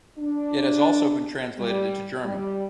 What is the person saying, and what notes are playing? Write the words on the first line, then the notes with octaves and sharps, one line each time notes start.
It has also been translated into German.
D4
G3
G3